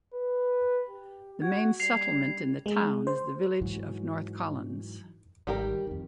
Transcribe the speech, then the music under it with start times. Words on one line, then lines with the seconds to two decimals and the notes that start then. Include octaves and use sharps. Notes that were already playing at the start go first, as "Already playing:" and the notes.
The main settlement in the town is the village of North Collins.
0.14 B4
0.89 G4
1.42 F#4 G#6
1.80 G3 C7 F7
2.66 G#3
3.07 C5
3.61 G#2 E3 F#3
5.47 G#1 D#3 G3 G4 A#4
5.87 F2 D#3